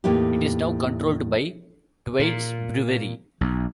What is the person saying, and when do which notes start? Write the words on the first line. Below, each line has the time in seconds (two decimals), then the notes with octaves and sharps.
It is now controlled by Thwaites Brewery.
0.04 E2 A2 A#3 D#4 G4
2.20 A#2
3.41 B1